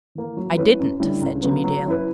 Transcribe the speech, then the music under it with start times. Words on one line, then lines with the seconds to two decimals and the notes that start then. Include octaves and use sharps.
"I didn't," said Jimmie Dale.
0.15 E3 A#3
0.37 F#3
0.57 C#4 E4 B4
0.80 F#2
1.00 D3 G3 C#4 E4
1.22 C#2
1.42 C#3 F#3 B3
1.64 F#3
1.86 C#4 E4 B4